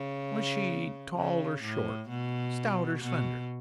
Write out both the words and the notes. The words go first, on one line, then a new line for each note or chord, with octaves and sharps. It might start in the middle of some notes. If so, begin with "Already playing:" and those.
"Was she tall or short, stout or slender?"
Already playing: C#3
C#3
A2
B2
B2